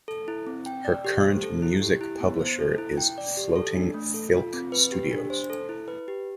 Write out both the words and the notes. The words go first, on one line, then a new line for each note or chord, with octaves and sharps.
Her current music publisher is Floating Filk Studios.
A4
E4
C4
G5
D5
G4
C5
A4
E4
G4
E4
B3
C5
A4
E4
G5
D5
G4
A4
D4
A3
A4
F4
C4
B4
G4
D4
C5
A4
E4
B4
G4